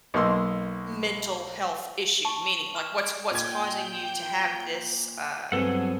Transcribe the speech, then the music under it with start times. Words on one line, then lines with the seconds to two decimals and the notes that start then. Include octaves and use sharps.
mental health issue? Meaning, like, what's what's causing you to have this, uh
0.14 B1 A#3 D#5 C6 E6
2.25 A5 C#6
2.75 F6 E7
3.31 A#2 G5 G6 G#6
5.52 G2 F#3 B3 C4 G#4 A4 F#5